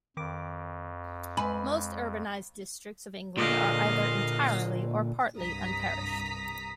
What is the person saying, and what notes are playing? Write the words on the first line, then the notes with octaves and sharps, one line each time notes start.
Most urbanised districts of England are either entirely or partly unparished.
F2 D#3 D6 D7
G#3 B4 G#5
A#2 D3 D#5 F5
C2 G2 A#5 D#6 B6